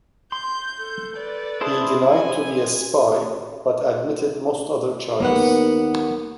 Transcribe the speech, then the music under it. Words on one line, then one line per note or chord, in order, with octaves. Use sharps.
He denied to be a spy, but admitted most other charges.
C6 G6
A4
B4 D5
E4 G#4 C5 A5
F3 G#5
D#2 A#3 B3 F#5